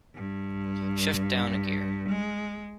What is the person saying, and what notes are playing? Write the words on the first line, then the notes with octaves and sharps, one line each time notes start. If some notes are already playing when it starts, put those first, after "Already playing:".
Shift down a gear.
G2
G#3